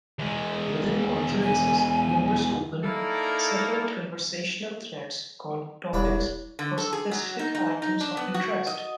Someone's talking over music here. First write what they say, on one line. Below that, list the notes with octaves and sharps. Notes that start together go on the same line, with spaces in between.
Within conferences, members open separate conversational threads called "topics" for specific items of interest.
E2 G#3
G#5
A#3 D#4 E4 A4 A#4 D5
E1 C2 D4 C#5 B5
D3
A4
G#4
F#3
D#4
D#4
D#4
D4
B3
F#4
D#5